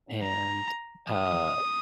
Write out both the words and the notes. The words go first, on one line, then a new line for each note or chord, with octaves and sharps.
and, uh
A#5
D#6